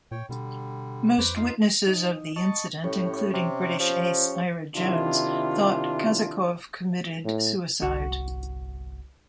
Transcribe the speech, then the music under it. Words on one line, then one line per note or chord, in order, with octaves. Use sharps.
Most witnesses of the incident, including British ace Ira Jones, thought Kazakov committed suicide.
A#2 C#5 G5
B2 D3 G3
F2 B4 C5 D6
D#4 F4 F5
D#4
D#5 A5 C#6
A2 C#4 G4 C#5
C3
F3
C3 D#3 D4 E4 F4
A2
G1 C2 F#4